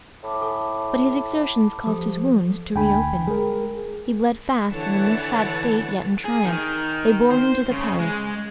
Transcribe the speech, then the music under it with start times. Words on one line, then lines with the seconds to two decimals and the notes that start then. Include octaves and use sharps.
But his exertions caused his wound to reopen; he bled fast, and in this sad state, yet in triumph, they bore him to the palace.
0.23 A2 A5 B5 D6
0.41 A4 G#5 C#6
1.86 F3 G4 A4 G5
2.76 D2 D3 G5 G#5 B5
3.28 G#3 G#4 A#4
4.72 D3 E3 C#5 F#5 A5
6.25 G#4
6.45 D#3
7.31 C5
7.71 C#3
8.00 G#3